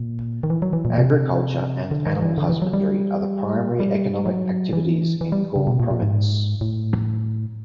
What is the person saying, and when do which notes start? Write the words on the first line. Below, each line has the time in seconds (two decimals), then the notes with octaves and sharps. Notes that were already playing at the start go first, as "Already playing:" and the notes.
Agriculture and animal husbandry are the primary economic activities in Ghor Province.
Already playing: A#2
0.43 D#3
0.50 E3
0.62 F#3
0.73 E3
0.85 A#2
0.98 C3
1.91 D3
2.07 D#3
2.22 E3
2.38 D3
2.50 E3
2.62 F#3
2.73 G3
3.80 G3
4.26 F#3
4.73 E3
5.21 E3
5.32 G3
5.56 C#3
5.67 B2
5.80 A#2
5.91 A#2
6.02 G#2
6.61 A2